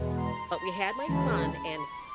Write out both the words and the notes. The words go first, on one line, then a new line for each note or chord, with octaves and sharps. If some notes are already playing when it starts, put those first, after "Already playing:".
But we had my son, and
Already playing: E2 B2 G#3 B3
A#5 C6
A#5 C6
D2 C#3 E3 G#3 C#4 A5 B5
B5 C#6
C#6
C6 D6